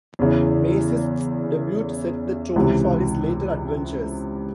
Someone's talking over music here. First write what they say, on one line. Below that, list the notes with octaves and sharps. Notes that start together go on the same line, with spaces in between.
Maciste's debut set the tone for his later adventures.
E2 C#3 E3
C#2 C3 E3